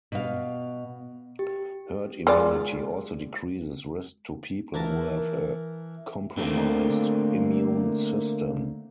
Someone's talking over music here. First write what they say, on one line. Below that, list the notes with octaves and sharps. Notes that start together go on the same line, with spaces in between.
Herd immunity also decreases risk to people who have a compromised immune system.
B2 F5
G4
G#3 F4 D5
E3 A#4 A5
D3 A3 A#3 C4